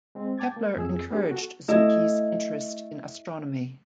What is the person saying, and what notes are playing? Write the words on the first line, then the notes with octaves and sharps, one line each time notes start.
Kepler encouraged Zucchi's interest in astronomy.
G#3 C4
G5 A5 D6 G#6 A6
A#3
F2 G#4 E6
B3 D4 G4 G#4
F#4 A4
A3 E4 D#5